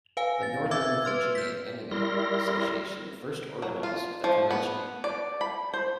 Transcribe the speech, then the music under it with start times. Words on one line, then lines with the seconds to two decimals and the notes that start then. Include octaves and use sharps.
The Northern Virginia Anime Association first organized the convention.
0.17 B4 F5 G#5
0.43 A6
0.71 E5 D6 E6 G#6 A6
1.05 B4 C6 F6
1.35 G6 B6
1.91 G3 E4 A#4 C6 A#6
3.62 F#3
3.83 F4
4.24 F3
4.51 B3
5.04 D5
5.41 B5
5.74 C5